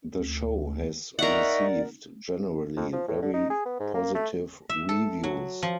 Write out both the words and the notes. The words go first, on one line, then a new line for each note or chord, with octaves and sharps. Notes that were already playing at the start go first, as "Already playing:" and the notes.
The show has received generally very positive reviews.
D2
D#4 A#4 D5 E5 F#5 C#6
F2
F3
A2
D3
D#4
G#4
B3
G#2
A#3
A3
E5
A4
F#3
F3